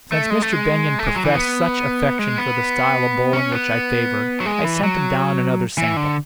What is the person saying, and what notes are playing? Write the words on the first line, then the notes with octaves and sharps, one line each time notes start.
Since Mr. Benyon professed such affection for the style of bowling which I favoured, I sent him down another sample.
A3
G#3
A3
G#3
A3
G#3
F#3
E3
B3
G#3
B3
C#4
B3
F#3
G#3
E3
F#3
E3
D3